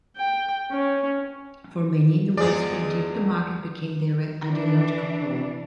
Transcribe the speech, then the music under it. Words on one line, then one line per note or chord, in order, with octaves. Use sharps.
For many in the West, the idea of the market became their ideological home.
G5
C#4
E2 F3 G#3 G#4 D5
E3 D4